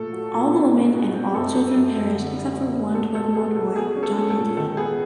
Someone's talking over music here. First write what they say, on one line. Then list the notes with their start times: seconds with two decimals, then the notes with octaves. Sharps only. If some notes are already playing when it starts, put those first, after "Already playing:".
All women and all children perished except for one twelve-year-old boy, John Hindley.
Already playing: A#2 A3 A4
0.13 F#3
0.33 A#2
0.53 B2
0.73 G#3
0.94 B2
1.13 C4
1.33 F#2 A4
1.54 F#2
1.74 F#2
1.95 F#2
2.15 D3
2.35 G3
2.55 G3
2.75 G3
2.95 B2 A4
3.15 B2 A4
3.35 B3 G#4
3.56 B2 A4
3.76 F#3 G#4
3.96 C#4
4.03 A4
4.17 A3
4.30 A4
4.37 A#2
4.57 D#3 A4
4.77 B3 G#4